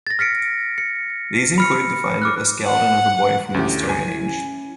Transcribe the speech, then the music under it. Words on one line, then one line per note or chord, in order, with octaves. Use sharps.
These include the find of a skeleton of a boy from the Stone Age.
A6 A#6
F6 B6 C#7 D7
C#7
B5 F6 C#7
D6 F6 F#6
F#5
D2 C#4 E4 G4
G#5